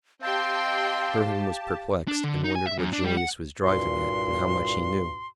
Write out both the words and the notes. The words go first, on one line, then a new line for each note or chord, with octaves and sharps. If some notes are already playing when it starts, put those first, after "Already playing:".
Durham was perplexed, and wondered what Julius was driving at, and how much he knew.
C4 G4 D#5 F5 G5 A5 C6
D4
D3
D#4
G#5
E5
F#2
D4
G3
F#5
C2 G2 A#2 F#4 C6